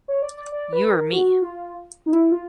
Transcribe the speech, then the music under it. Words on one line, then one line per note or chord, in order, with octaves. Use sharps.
You or me?
C#5
D5
D5
D5
B4
A#4
F#4
F4
D#4
E4
F4